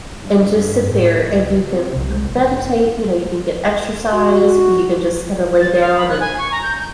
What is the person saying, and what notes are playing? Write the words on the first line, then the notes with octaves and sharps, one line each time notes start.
and just sit there, and you can meditate, you know, you can get exercise, you can just kinda lay down, and
G2
A2
C#2
C3
C2
F#1
F#4
A6
F5
B5
F#6
G#5
C#6
A#5
G6
G6